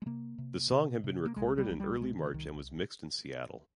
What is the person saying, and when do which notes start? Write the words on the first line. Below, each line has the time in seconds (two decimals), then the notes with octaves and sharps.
The song had been recorded in early March and was mixed in Seattle.
0.02 G#3
0.06 C3 A#3
0.38 C3
0.72 C3
1.04 C3
1.26 A#3
1.36 C2 G#3
1.58 G3
1.69 C2
1.80 G3
2.01 C3 G#3
2.18 D#3
2.34 C2 D#3